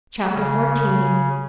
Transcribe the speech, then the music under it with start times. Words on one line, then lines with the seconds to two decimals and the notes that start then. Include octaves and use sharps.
Chapter XIV.
0.34 C#3